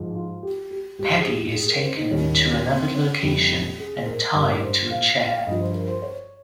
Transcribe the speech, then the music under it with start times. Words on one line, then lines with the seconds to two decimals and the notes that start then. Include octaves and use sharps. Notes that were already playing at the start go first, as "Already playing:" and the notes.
Peggy is taken to another location and tied to a chair.
Already playing: G#2 F3
0.15 F4
0.43 G4
0.71 G4
0.98 G#2 G3 G4
1.19 G#4
1.27 G4
1.55 G#4
1.69 A#4
1.76 C#5
1.83 C5
1.97 D#4
2.10 D#2 D#3 G3 C#4
2.39 C#4
2.66 C4
2.94 C#4
3.23 F2 C3 G3
3.79 G#4
4.00 C5
4.06 A#4
4.34 G2 G3 A#4
4.63 C5
4.90 F5
5.27 F5
5.46 G2 F3 D#5
5.60 C5
5.74 A#4
5.88 C5
6.02 C#5